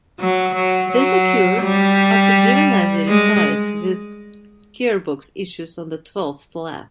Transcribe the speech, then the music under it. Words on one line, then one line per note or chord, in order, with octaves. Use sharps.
This occurred after Giovinazzi retired with gearbox issues on the twelfth lap.
F#3
F#3
F#3
G3
G#3